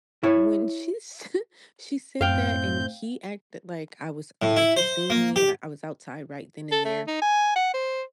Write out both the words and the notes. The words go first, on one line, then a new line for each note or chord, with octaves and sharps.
when she sent she sent that and he acted like I was like he seen me and I was outside right then and there
E4 C#5
F#2 A2 C4 F5 G5 G6
A2
E4
C5
A#3
G4
A4
A3
D#4
G#5
F#5
C5